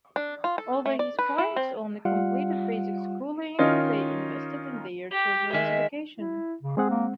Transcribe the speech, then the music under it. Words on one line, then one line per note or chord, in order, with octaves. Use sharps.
Although his parents only completed basic schooling, they invested in their children's education.
D4
F4
A4
A3
D5
B4
E4
C4
G3 F4 F5 F#5
D#3 C#4 D#4 F4
G4
D#3 G#3 E5
E4
C#3
G#3 C4 G#4 F#5
A#3